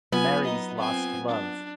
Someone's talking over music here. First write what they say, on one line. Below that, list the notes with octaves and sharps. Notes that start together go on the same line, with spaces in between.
Mary's lost love.
F#3 B3 F4 G#5
D#4 D#5
C4 G#5
D4